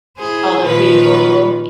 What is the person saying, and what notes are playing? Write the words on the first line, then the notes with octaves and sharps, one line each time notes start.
Other people.
E4 G#4 C5
A#2 D#3 F3 B4